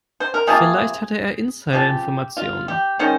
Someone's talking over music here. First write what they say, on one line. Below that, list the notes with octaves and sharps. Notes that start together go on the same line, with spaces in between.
Vielleicht hatte er Insiderinformationen.
C5
A#4
C3 F3 A#3 F4 G#4
C#3 F3 C4 G4
F4
G4
D#3 G#3 C#4 C5